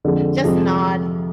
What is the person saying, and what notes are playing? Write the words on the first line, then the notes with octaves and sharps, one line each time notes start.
just nod,
F2 D3 F3 G#3
F2 C3 F3 G#3